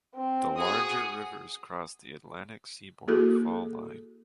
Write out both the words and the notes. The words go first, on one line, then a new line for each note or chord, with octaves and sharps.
The larger rivers cross the Atlantic seaboard fall line.
C4
F#4 G#4 D#6
A#3 E4 F#4 G#4 A4